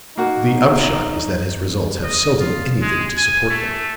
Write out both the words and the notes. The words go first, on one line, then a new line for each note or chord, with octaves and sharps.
The upshot is that his results have seldom anything to support them.
A#3 D#4 F#4
D#5
F4
G#3
G#5
A3